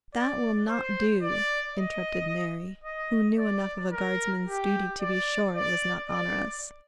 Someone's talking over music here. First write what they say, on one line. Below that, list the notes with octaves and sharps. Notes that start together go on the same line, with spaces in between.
"That will not do," interrupted Mary, who knew enough of a guardsman's duty to be sure it was not onerous.
D5
C5
D5
D#5
D#5
D5
A#4
G4
D5
D5
D5